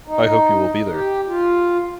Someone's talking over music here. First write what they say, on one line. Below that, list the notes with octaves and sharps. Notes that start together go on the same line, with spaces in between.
I hope you will be there.
D#4
G4
F4